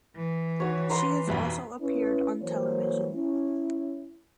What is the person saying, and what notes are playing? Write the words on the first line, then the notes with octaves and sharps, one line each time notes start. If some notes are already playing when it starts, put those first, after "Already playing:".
She has also appeared on television.
E3
D#3 F#4 C#5
B4 A#5 C6
B1 F2 G3
C#4 E4 B4
E3 F#3 A#3 C5 C#5
C#4 E4